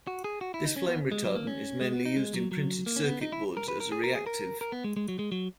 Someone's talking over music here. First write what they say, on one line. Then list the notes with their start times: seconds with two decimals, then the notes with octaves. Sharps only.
This flame retardant is mainly used in printed circuit boards, as a reactive.
0.07 F#4
0.24 G#4
0.41 F#4
0.54 E4
0.65 D#4
0.76 C#4
0.88 B3
1.12 G#3
1.24 F#3
1.35 A#3
1.47 C#4
1.81 G#3
1.93 B3
2.05 D#4
2.17 G#3
2.34 F#3
2.52 F#3
2.86 A#3
2.96 C#4
3.04 B3
3.21 D#4
3.32 E4
3.57 A#4
3.68 B4
3.80 A#4
3.92 G#4
4.04 A#4
4.15 G#4
4.26 A#4
4.61 A#4
4.72 B3
4.84 G#3
4.96 G#3
5.08 F#3
5.19 G#3
5.32 F#3